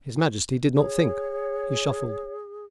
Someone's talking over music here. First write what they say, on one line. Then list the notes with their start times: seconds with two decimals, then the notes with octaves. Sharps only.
His Majesty did not think; he shuffled.
0.75 G#4 C#5